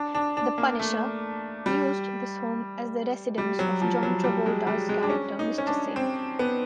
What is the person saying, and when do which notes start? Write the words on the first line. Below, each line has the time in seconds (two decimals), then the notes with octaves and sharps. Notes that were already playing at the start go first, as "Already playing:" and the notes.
"The Punisher" used this home as the residence of John Travolta's character Mr. Saint.
Already playing: D4
0.15 D4
0.37 D4
0.58 A#3
0.79 A3
1.66 G3
3.38 G3
3.59 F#3
3.81 F3
4.03 F#3
4.24 G3
4.46 G#3
4.67 G3
4.89 G#3
5.03 D4
5.09 C#4
5.39 D#4
5.58 C#4
5.67 D4
5.96 C4
6.39 B3